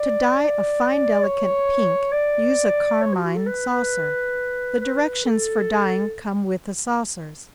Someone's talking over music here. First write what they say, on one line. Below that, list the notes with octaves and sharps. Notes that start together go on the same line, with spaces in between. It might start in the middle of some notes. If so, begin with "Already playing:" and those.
To dye a fine delicate pink, use a carmine saucer--the directions for dyeing come with the saucers.
Already playing: D5
C#5
D5
C#5
F#4
F#4
A4
B4
B4
B4
A4